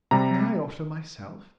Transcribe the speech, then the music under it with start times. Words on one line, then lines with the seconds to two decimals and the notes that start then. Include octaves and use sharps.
"May I offer myself?"
0.11 C3 G3 A#5